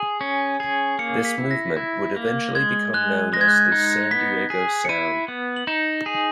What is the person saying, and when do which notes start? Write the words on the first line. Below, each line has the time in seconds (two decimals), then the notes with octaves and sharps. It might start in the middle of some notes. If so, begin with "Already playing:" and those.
This movement would eventually become known as the "San Diego sound".
Already playing: G#4
0.21 C#4
0.60 G#4
0.99 A#3 C#7
1.25 B6
1.38 E4
1.51 A#6
1.77 E4
2.16 A#3
2.55 G#3 G#6
2.94 G#3 F#6
3.33 G#3 A#6
3.41 G#6
3.48 F#6
3.56 G#6
3.72 D#4
4.11 B3 B6
4.50 G#4
4.85 C#7
4.89 E4 D#7
5.28 B3
5.56 F#7
5.67 D#4 E7
6.06 G#4